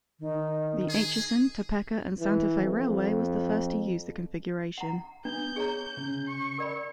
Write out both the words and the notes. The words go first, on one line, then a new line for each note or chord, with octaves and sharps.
The Atchison, Topeka and Santa Fe Railway was the first to use the configuration.
D#3
G#4
E3
F2
F#5 A#5
B3 D4 G6
G#4 C#5 A#5
C#3 C#4
C#6
A#4 D5 B5